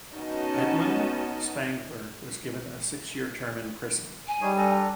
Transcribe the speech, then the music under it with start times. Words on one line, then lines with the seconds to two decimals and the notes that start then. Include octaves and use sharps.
Edmund Spangler was given a six-year term in prison.
0.13 B3 C#4 D#4 F#4 D#5 A5
4.28 G#5
4.41 G3 D#4 G#4 C#5
4.57 D4 A4 A#5